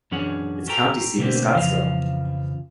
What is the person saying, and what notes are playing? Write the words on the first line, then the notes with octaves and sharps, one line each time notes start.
Its county seat is Scottsville.
F#2 E3 C#4 D4 G#4 F#5
C#4 F#4 G4 A4 G5 A#5
B2 D3 A3 A#3 C4
F2 C#3 E3 F3 F5